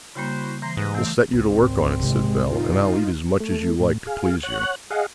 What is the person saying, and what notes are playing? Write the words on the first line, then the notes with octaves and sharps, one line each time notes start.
"We'll set you to work on it," said Bell, "and I'll eat as much as you like to please you."
C#3 G3 A#3 E4 F#4 C5
E3 C5 A#5 C6
G#2 C3 B4 D#5
E3 A3 B3 C4
G#1 C#2 C4
C3 E3 G#3
D#4 F4
A3
A2
G#4 F5
C#5 F#5 F#6
G#4 D#5 F5 F#5